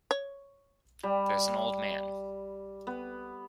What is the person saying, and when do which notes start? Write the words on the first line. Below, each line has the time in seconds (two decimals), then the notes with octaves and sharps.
There's an old man.
0.11 C#5
1.03 G3
2.87 B3